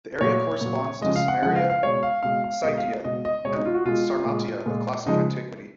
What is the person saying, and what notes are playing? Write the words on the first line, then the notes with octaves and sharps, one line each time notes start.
The area corresponds to Cimmeria, Scythia, and Sarmatia of classical antiquity.
A#2 F#3 C#5
A#2 F#3
C#3 F3 G#3 D#5
F5
F#5
C#3 F3 G#3 F#5
F5
F5
B2 G#3 C#5
F5
B2 G#3 F5
F5
B2 G#3 D#5
F5
B2 G#3 D#5
D#5
B2 G#3 C#5
D#4
F4
F#4
B2 G#3 F4
A#2 G#3
A#2 G#3
C#3 F3 G#3 D#4